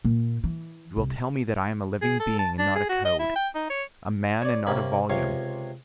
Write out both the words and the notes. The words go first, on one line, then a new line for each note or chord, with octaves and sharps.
You will tell me that I am a living being, and not a code--a man, and not a volume.
A#2
E3
C2
G#4
A4
A5
D4
G#4
F#4
D#5
E4
G5
D#4
C#5
C#5 D5
C3 A#3 C#4 A#4 B5
C#2 C3 C#5 F5 G#5